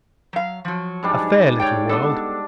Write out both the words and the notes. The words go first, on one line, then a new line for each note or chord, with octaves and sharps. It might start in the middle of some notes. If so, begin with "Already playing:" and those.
A fair little world.
F#3 F5
F3 F#3
G#2 G3 D4
C#5 D5 G5
B3 D4 A4